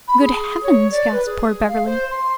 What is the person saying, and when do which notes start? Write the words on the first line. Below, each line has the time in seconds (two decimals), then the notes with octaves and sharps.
"Good heavens!" gasped poor Beverly.
0.07 B5
0.20 G#4
0.63 C#5
0.91 D5
1.11 B4
1.25 G#4
1.68 F5
1.85 C5
2.10 C6